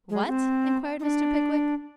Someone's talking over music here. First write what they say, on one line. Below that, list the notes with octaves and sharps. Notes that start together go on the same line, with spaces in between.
'What?' inquired Mr. Pickwick.
G#3
C4
D#4
D4